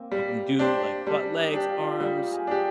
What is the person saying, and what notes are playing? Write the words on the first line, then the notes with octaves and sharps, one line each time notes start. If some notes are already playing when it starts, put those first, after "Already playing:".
you can do, like, butt, legs, arms,
Already playing: A#3 C4
G3
D4 G4 C5
G3 D4
D#4
D4 G4
F4
G3 D#4
G#4
D4 G4